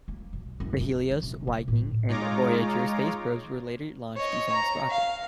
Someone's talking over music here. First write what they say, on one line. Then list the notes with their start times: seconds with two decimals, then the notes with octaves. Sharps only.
The Helios, Viking and Voyager space probes were later launched using this rocket.
0.08 A#3
0.33 B1
0.60 F#1
0.80 D#4
1.10 F3
1.23 C3
1.47 F3
1.68 A2
2.08 G#3 D#4 F4 C#5 A#5 D6
4.16 C#5 D#5
4.52 A#5
4.89 F5